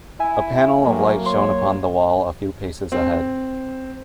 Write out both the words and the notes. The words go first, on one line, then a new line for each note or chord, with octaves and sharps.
A panel of light shone upon the wall a few paces ahead.
E4 E5 G#5
A2 F#3 A#3
C#5 C6
C4